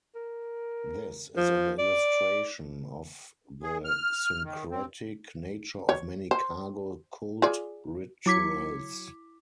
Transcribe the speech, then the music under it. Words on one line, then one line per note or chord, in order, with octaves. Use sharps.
This is an illustration of the syncretic nature of many cargo cult rituals.
A#4
F3
D5
G#4
F6
D#3
C4
C#5
C5
F4 G#4 D5
F#3 E4 D6 G#6 B6 C#7